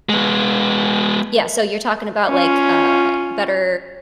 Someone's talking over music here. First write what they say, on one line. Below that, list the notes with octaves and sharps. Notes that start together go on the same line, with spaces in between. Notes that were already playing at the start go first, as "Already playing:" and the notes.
Yeah, so you’re talking about, like, uh, better,
G#3 B3
C#4 F4